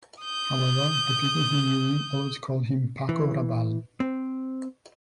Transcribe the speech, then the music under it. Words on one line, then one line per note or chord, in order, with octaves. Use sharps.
However, the people who knew him always called him Paco Rabal.
D#6 G6
E3
C4